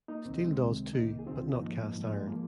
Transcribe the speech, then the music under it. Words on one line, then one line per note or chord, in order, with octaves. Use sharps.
Steel does, too, but not cast iron.
A#3 D#4
C2 C3 D#3 C4
D#4
G#3 C4
C2 C3 D#3
C2 C3 D#3 A#3 D#4
G#4
C2 C3 D#3 C4 F4
G#2 F3 A#3 D#4
G#2 F3
G#3
F3 A#3